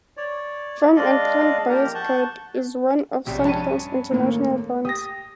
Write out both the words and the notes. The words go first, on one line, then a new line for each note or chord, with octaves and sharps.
"Farm and Plant Buyers Guide" is, one of Sandhills' international brands.
C#5 D5
G#3 D4 D5 D#5 F5
F3 A#3 G4 A#4 A#5
F#5 A5 C#6 G6
A#1 C3 F#3
G2 C#4 D4 A5 D#7
D#2 A2 A#3
G4 D#6 A#6